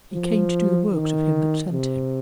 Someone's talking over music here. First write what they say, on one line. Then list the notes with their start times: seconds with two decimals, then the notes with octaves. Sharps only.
He came to do the works of him that sent him.
0.13 F3
0.93 D#3
1.72 C3